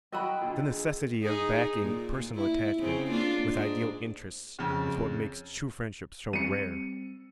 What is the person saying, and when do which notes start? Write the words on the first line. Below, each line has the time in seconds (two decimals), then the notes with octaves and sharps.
The necessity of backing personal attachment with ideal interests is what makes true friendship so rare.
0.12 F#3 F#4 D#5 G5 B5 E6
0.41 A#2 D3
0.67 G#4
1.22 D#4 G#4
1.81 A#2
2.35 E4
2.79 C#3 C4 C#4
3.10 A#3 D4 F4
3.49 G#2 G#3 D4
4.59 F2 C#3
6.33 G3 C4 C#7 D#7